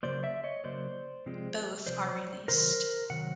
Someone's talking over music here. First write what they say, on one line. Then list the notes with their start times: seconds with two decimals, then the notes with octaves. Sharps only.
Both are released.
0.03 C#3 F#3 A#3 C5 D5
0.23 D5 E5
0.44 C#5 D#5
0.64 C#3 F#3 A#3 C5 D5
1.26 C3 F3 G#3 C4
1.86 C3 F3 C5 D5
2.48 C3 D#3 F#3 A#4 C5
3.10 C3 D#3 F#3 F#5